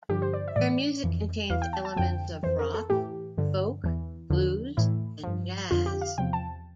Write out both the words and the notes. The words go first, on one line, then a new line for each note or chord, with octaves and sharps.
Their music contains elements of rock, folk, blues, and jazz.
G2 D3 F3 G4
C5
D5
E5
A2 E3 D5
F2 E3
E2 E3 F5
G5
A5
A5
F2 D3 F3 G5
F2 E3 C5
A#4
A4
A2 E3 G4
G2 D3 F3
E2 E3
E2 D3 F3
A2 E3 E4
G2 F3
F2 D3 F3 F4
G4
F5
E2 C3 F3 G5
A5